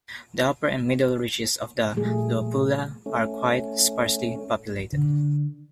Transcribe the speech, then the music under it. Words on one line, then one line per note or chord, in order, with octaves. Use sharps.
The upper and middle reaches of the Luapula are quite sparsely populated.
A#2 F3 G3 A3 G#4
A3 C#4
D3